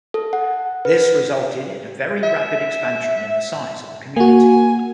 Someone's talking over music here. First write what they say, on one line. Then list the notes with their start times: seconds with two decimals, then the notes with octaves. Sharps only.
This resulted in a very rapid expansion in the size of the community.
0.14 A4
0.33 F#5
0.85 B4
2.23 E5
4.17 A#3 F#4 G#5